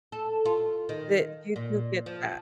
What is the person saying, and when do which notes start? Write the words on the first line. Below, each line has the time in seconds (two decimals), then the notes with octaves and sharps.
th you do get that.
0.12 A4
0.45 F4
0.89 D#3
1.56 A#2
2.06 F3